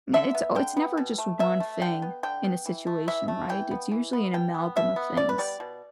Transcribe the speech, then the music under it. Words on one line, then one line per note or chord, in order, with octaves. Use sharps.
eh it's it's never just one thing in a situation, right? It's usually an amalgam of things.
D3 E5
B3
D3 G5
B3
B2
A3
B2 E5
A3
D3 G5
B3
D3 G5
B3
E3
A3
E3 E5
A3
E3 G5
B3
E3
B3
B2 G5
B3
B2 E5
B3
B2 D5
B4
G3 B3 D5
B2